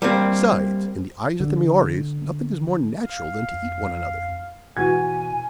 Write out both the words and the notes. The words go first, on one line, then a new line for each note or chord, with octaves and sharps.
Besides, in the eyes of the Maories, nothing is more natural than to eat one another.
G3 A#3 C4
D3
F5
F2
B2 E3 F#4 G#5 G#6